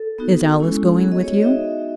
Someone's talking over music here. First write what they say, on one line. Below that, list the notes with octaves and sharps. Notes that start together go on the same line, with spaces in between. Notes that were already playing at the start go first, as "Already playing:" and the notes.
'Is Alice going with you?'
Already playing: A4
B3 D#4 F#4
G#3 C#4 E4
B3 F#4 G#4
D#5
C#5
D#5
B3 D#4 F#4 E5